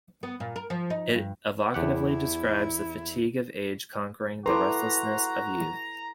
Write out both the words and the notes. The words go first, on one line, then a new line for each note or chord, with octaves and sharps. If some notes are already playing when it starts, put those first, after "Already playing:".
It evocatively describes the fatigue of age conquering the restlessness of youth.
B3
A#2
A#4
F3
D#4
G2
E2 E4 G4 F#5
E4 F#4 A4 B4 A#5 C6 D6